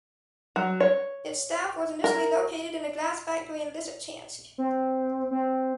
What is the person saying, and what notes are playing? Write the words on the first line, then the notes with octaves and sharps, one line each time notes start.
Its staff was initially located in a glass factory in Lyssytchansk.
F#3
C#5
A#4
C4
C4